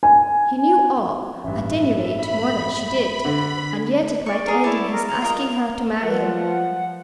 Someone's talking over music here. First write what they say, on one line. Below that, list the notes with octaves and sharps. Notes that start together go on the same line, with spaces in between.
He knew all--at any rate, more than she did--and yet it might end in his asking her to marry him.
G#5
A1 G2 E5
B5
D3
D5 C#6
G#4 A#4
E4 C#5 D5 A5
A#4
A#5
F4 A#4 D#5
F3 A#4 B4 F#5